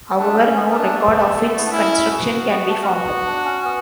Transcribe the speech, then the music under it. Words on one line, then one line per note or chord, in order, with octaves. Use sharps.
However, no record of its construction can be found.
A3 D4
B3
C#4
A3 B3
C#4
D4
B3
A3
E4
D4
C#4 E4
C#4
B3 F#4
B3
A3
C#4
B3 F#4
D4
C#4
C#4
B3